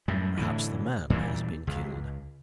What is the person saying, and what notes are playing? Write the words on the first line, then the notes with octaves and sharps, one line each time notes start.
Perhaps the man has been killed.
F#2 A2 G3
A2 D3 E3
A#2 E3 F3 G3
C#2